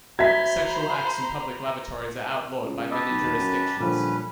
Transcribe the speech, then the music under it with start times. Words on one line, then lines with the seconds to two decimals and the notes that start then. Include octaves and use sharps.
Sexual acts in public lavatories are outlawed by many jurisdictions.
0.19 F#4 C5 E5 A#5 B5 G#6 B6
2.63 C#2
2.91 G4 B4 D#5 A5 D#6 E6
3.09 B1
3.21 D#2
3.37 F#2
3.80 A#2 D3 F3 G3 C#4 B4